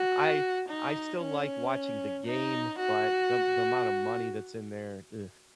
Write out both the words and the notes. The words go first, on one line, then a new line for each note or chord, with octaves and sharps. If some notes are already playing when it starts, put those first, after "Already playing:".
I I still like watching the game, but the the amount of money that's in there, ugh,
Already playing: F#4
D#4
C#4
D#4
F#4